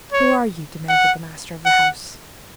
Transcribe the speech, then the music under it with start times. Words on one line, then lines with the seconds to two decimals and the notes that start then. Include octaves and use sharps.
"Who are you?" demanded the master of the house.
0.12 C#5
0.89 F#5
1.65 F#5